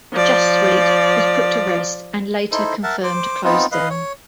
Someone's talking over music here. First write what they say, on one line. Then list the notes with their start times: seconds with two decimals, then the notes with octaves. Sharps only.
"JustSweet" was put to rest, and later confirmed closed down.
0.13 F3 D5
2.52 D#4 E4 A4 C5
2.83 A#4 E5 F#5 A5
3.03 C5 D6
3.44 B3 C4 D#4 F4
3.72 B4 D#5 F5
3.90 C#5